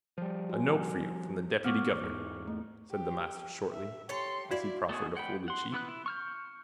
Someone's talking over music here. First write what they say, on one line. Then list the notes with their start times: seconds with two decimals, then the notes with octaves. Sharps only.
"A note for you from the Deputy-Governor," said the master shortly, as he proffered a folded sheet.
0.18 F3 G3
0.50 F#4 G#5
1.64 A#3 B3 C#6 D6 F6
2.03 E2 G#2
2.48 A3
2.91 G4 G5
3.72 E5
4.09 G4 A4 C#5 C6
4.51 E4 F#4 D5 F5
4.89 A3 B3 F#4 G#4
5.15 G#3 F#5 G5 B5
5.48 F#5 C6
5.72 E3 B3 B4 F#6
5.88 E4
6.06 C#6 F6 G6